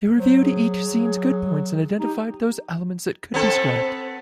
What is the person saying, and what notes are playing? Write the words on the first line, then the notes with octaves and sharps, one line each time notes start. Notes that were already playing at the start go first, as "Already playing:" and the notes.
They reviewed each scene's good points and identified those elements that could be scrapped.
F#3 C5
G#4
F#3
D#4 G4
B3 C4 A4